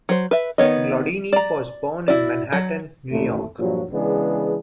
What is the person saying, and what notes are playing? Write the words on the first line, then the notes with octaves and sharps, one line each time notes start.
Glaudini was born in Manhattan, New York.
F#3 C5
B4 E5
D#3 B3 C#5 D#5
D5 A#5
E4 F#4 D5
F#3
A1 D#2 A#2 A3
G2 A#2 F3 F#3
C#3 E3 G#3 B3 D4 G#4